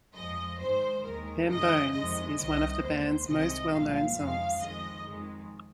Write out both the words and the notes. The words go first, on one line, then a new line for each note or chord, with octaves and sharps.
"Them Bones" is one of the band's most well known songs.
F2 F3 G#3 D#5
G#2 D#3 G#3 C5
D#2 D#3 G#3 A#4
F2 C3 D#3 G#3 D#5
F2 C3 D#3 G#3 D#5
C2 C3 D#3 D#5
D#2 D#3 G#3 C5
C2 C3 D#3 G#3 D#5
C2 A#2 F3 G#3 F5
F2 D#3 G#3 F5
F2 D#3 G#3 D#5
F2 D#3 G#3